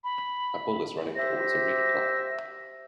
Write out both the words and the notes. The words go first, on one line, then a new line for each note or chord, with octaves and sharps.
A bull is running towards a red cloth.
B5
G4 C5 E5 A#6